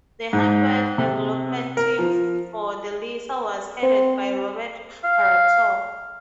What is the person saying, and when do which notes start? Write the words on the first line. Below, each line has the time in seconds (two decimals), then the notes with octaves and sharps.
The hardware development team for the Lisa was headed by Robert Paratore.
0.33 G#2
0.98 C3
1.77 A#4
1.99 F3
3.83 C4
5.04 F5